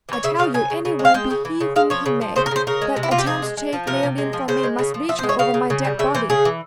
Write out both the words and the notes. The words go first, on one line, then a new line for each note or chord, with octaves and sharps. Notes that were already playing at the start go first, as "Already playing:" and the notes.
"I tell you any one, be he whom he may, that attempts to take Leoline from me, must reach her over my dead body!"
E3 C#5
C#3 E5
C#3 F5
C#3 G#5
C#3
C#3
G#3
F5
G#3 G5
C#3
E3
C#3
G#3 F5
F3 C#5
C#3
F3
C#3 C5
A#4
C#3 C5
C#3 A#4
G#3
C3
E4
C3 F4
G4
F3 G#4
G#3
G#3
F3
C3 A#4
C3
G#3
F3
C#3 C5
G#3
C#3
F3
F3 E5
C5
G#3
C#5
C#3 F5
C#3
C#3
G3
C#3 E5
E3 C5
C#3 G#4
E3